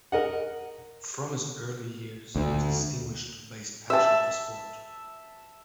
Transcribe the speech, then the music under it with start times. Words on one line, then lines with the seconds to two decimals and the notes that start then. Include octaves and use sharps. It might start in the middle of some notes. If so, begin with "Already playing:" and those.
From his early years he was distinguished by his passion for sport.
0.12 A#4 D#5 F#5
2.36 D2
3.90 E5 A5